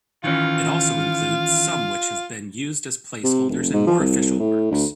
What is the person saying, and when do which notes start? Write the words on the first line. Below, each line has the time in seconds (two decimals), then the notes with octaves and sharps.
It also includes some which have been used as placeholders in more official works.
0.24 D#3 E3 C#4 F4
3.23 C3
3.49 F1
3.74 G#2
3.87 F3
3.99 C2
4.39 A2
4.71 D2